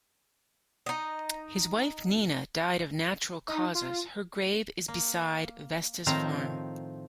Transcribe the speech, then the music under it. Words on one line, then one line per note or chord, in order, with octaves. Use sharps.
His wife, Nina, died of natural causes; her grave is beside Vesta's farm.
D#4 D#5
D#4
F4
A#3
A2 D#3 F3 C4 F5 A#5